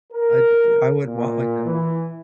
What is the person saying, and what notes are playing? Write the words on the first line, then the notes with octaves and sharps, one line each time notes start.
I I would want, like, a
A#4
A#2
E3